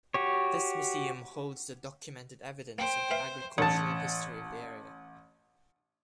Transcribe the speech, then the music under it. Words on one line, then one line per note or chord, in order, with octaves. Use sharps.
This Museum holds the documented evidence of the agricultural history of the area.
F#4 G4 C#5
A#3 C5 G5
B4 E5 F5
A1 A5